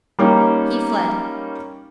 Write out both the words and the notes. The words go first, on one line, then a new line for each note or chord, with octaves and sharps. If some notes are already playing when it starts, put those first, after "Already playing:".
He fled.
G3 A#3 C#4 D#4